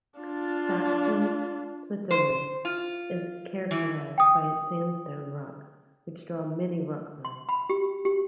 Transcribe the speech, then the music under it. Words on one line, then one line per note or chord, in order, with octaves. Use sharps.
Saxon Switzerland is characterized by its sandstone rocks which draw many rock climbers.
D4 F4
C5
F4
E3
G5 D#6
C6
B5
G4
G4